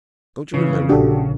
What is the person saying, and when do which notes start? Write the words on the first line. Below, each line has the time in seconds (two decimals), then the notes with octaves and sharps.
'Don't you remember?
0.54 C#3 E3
0.90 A#1 D4 F#4 G4 A4